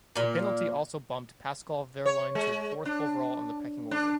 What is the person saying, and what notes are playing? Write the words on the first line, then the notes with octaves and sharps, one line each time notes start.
This penalty also bumped Pascal Wehrlein to fourth overall in the pecking order.
A#2 A#3
C#5
G#3
D4
D4